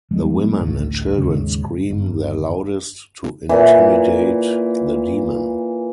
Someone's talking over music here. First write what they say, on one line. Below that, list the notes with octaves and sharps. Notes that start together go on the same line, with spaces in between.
The women and children scream their loudest to intimidate the demon.
F3 G3 G#3 B3
A1 D2 A2
D#2 G#2 C#3
G1
A#2 E3